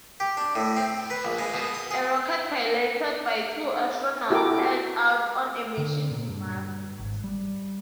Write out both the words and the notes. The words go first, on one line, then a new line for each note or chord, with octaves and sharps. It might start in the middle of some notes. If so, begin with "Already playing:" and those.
A rocket piloted by two astronauts heads out on a mission to Mars.
G4
D4
A2
C4
B4
A#1
G#3
B2
D#6
G#4
E4 F#4 G4 A4 A#4 D6
D3
A#2
G2
G#1
G3